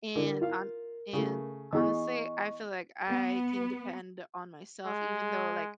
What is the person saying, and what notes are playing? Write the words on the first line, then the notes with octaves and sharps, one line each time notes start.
and on and honestly, I feel like I can depend on myself even though, like,
D3 A#4
F4 F5
C#3 A3
E3 B3 G#4 D#5 C#6
B3
G#3